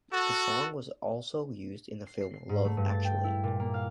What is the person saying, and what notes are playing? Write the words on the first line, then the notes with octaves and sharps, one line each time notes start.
The song was also used in the film "Love Actually".
F#4 A4
C7
C7
C7
G#2
A3
G2
A6
G5
E4
A#2
A#3
F5